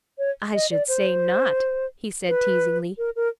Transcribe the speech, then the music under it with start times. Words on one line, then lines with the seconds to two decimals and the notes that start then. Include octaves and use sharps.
"I should say not," he said teasingly.
0.18 C#5
0.54 D#5
0.71 D5
0.88 C5
2.29 B4
2.98 A#4
3.16 A#4